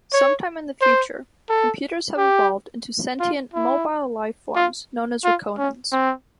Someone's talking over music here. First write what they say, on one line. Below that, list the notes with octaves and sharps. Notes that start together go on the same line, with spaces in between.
Sometime in the future, computers have evolved into sentient, mobile life-forms known as 'Rakonans'.
C#5
C5
A4
G4
F4
E4
F4
F4
C#4
C4